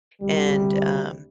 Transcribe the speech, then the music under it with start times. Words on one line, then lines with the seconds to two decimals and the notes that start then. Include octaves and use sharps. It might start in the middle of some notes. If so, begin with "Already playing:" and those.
and, um,
0.22 D2 C3 G3